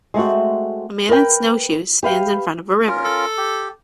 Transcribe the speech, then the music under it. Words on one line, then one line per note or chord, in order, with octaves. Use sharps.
A man in snowshoes stands in front of a river.
G#3 A3 C4 F#4
A#4 B4 D5 G5
G4 B4 F5 G5
C#4 F4 A#4
A4
G4